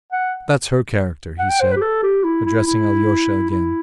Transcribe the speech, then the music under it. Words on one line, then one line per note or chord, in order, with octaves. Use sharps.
"That's her character," he said, addressing Alyosha again.
F#5
F#5
G5
C5
B4
G4
A4
G4
E4
E4
E4
E4